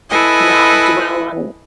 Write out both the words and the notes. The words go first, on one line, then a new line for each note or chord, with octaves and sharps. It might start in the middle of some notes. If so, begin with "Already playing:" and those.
not dwell on
E4 A4 B4 D#5 G#5